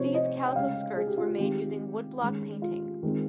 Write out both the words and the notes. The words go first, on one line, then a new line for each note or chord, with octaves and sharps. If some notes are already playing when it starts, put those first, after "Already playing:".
These calico skirts were made using woodblock painting.
Already playing: C3 F3 C4 D#4 C5 C#5
D#5
G5
C#3 G#3 C#4 F5
G#4
G4
F4
F4
D#3 G#3 C4 D#4 G4
D#3 G#3 C#4
F4
D#3 G#3 C4